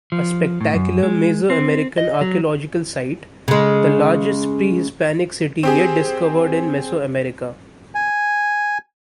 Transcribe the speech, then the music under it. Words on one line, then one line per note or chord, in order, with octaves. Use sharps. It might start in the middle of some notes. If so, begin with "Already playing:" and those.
A spectacular mesoamerican archaeological site, the largest prehispanic city yet discovered in Mesoamerica.
F3
A2
F#2
G#3
C4
D#5
F#3
C#3 G#3
C4 G4 G#4
G#5